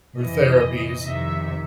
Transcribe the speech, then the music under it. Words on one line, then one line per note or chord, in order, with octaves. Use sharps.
her therapies,
F2 C3 E3 D#5
F2 C3 D#3 E5